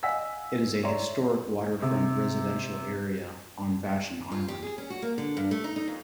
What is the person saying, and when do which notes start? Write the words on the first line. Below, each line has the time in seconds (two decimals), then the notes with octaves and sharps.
It is a historic waterfront residential area on Vashon Island.
0.03 D#5 F5 F#5 G#5 E6 B6
0.83 C#5 D5 E5 A#5 C6
1.82 C3
4.32 F4
4.48 G4
4.62 G#4
4.78 C#4
4.90 F#4
5.02 A#3
5.18 D3
5.37 G2
5.51 A3
5.64 D#4
5.76 D#4
5.88 F2